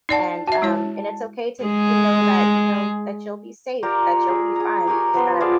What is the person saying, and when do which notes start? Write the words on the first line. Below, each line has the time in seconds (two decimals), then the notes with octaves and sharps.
and, um, and it's okay to to know that you know, that you'll be safe, that you'll be fine. You just gotta
0.09 D#4 D5 F#5 A5 C7
0.47 F#4 E5 A5
0.62 G#3 E4 C#5
1.64 G#3 G#4
3.83 F4 G4 A#4 D5
4.28 G#4
4.56 G#4 A#5
4.87 G4 A#4 G#5 C#6
5.14 F3 B3 C6
5.40 F3 G#4 D5 F5